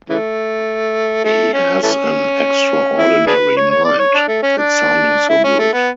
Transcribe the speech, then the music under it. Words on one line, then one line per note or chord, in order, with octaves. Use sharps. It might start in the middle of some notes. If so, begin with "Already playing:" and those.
He has an extraordinary mind - it's sounding so good.
C#3 E3 A3
A3
C#4
E3 A3 C#4
E4
D4 G#4 B4
C#5
C#5
D5
C#5
D4
A3
C#4
D4
E4
C#4
A3
B3